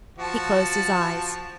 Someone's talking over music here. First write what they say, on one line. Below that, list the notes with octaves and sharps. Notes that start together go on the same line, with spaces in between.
He closed his eyes.
F3 F#4 A5